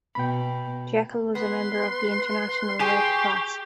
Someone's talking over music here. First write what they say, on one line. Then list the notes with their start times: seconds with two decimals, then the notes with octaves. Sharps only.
Jeckle was a member of the International Red Cross.
0.15 B2 G5 B5
1.35 B3 B4 C6
2.80 G4 G#4 G#5 C#6